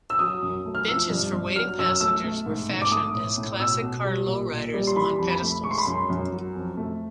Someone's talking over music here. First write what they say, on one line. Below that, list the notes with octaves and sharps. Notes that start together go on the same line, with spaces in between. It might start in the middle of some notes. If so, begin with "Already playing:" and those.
Benches for waiting passengers were fashioned as classic car lowriders on pedestals.
E6
F#3 D#6
F#2
A3
F6
F3 E6
G2
G2
F#3 F6
F#2 E6
A3 E6
A3
G#2
G#2
D6
A3 D#6
A2
A2
B2 E6
B2
G3
A#2
A#2
G3
C6
E3 B5
F2
B5
A3
G#3 C#6
C6
B5
F#2 C6
F#2
F#3
F2
A3